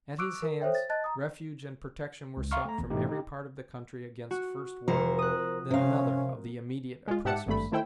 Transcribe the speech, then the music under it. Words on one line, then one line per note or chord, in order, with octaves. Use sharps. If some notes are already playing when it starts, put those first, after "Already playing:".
At his hands, refuge and protection were sought from every part of the country against first one, then another of the immediate oppressors.
C#6 D6 E6 F#6 D7
A#4
A4 C5 C#5 E5 G5
A6
D#5 A5 F#6 A6
A#5 D#6
C#2
E5 F5 A#5 C6 C#6 F6
A3 A#5
G#1 E2
G#2 B2 E3 A3 D#4 G4
D#4 G4
F#4
F1 A#4 C5 C#7
D#6 F#6
C3 C4 C#4 A#4 F5
G#3 F4
G#2 G4 E5 F#5 A5 C#7
G#1 G2 A3 B5
D#3 A3 E4 C5 G5 E6